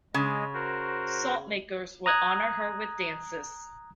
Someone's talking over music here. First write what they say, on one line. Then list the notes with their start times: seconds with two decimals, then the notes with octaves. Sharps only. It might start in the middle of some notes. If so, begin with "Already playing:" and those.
Salt makers would honor her with dances.
0.14 C#3 G#3 D#5
0.54 F#4 A#4 C5
2.06 A#5 D#6 F#6 G#6